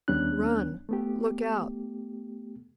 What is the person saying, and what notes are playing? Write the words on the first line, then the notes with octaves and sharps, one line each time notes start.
Run! Look out!
D#2 G3 B3 C#4 D4 F#6
A3 B3 G4